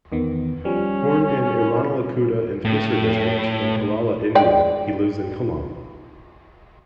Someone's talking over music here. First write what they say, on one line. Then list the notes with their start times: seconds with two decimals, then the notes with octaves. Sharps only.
Born in Irinalakuda in Thrissur district in Kerala, India, he lives in Kollam.
0.12 E2 D#3 B3
0.65 F3 G3 C#4
2.65 A2
4.35 G#3 D5 G5